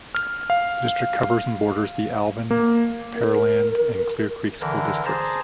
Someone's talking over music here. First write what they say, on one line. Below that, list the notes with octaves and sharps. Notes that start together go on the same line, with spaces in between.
The district covers and borders the Alvin, Pearland and Clear Creek school districts.
F6
F5
A#3
A#4
D3 E3 A#4
G#4 C5 A5 A#5